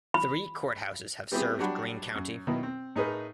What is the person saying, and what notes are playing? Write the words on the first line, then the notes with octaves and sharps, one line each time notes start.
Three courthouses have served Green County.
B5
G3 B3 C4 E4 G4 G#4
F#3 G3 D4 F#5 B5
F#2
B2 D#3 F#3 B3 E4
C4
A2 D#4 G#4 A#4 B4